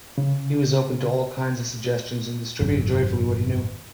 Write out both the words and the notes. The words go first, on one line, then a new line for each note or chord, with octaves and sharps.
He was open to all kinds of suggestions, and distributed joyfully what he knew.
C#3
G#1 F#2 D#3